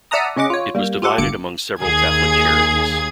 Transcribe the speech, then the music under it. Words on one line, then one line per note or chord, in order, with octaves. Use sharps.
It was divided among several Catholic charities.
D5 E5 F#5 A5 A#5 D#6
C#3 C#4 D#5 F#5 D6
F4 C#5
G3 A#3
F4 G4 A4 F#5
G1 G2 A#3 D6 C#7 D7
D#2 G#4 G#6